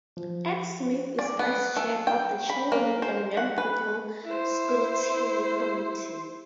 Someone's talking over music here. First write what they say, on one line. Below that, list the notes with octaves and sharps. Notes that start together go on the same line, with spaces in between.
Ann Smith is Vice Chair of the Children and Young People Scrutiny Committee.
F3
D5
B3
A3
G5
B5
A#3
C5
F#5
B4
E4 C5